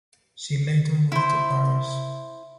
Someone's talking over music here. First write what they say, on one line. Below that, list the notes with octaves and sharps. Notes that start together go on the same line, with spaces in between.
She later moved to Paris.
E4 C5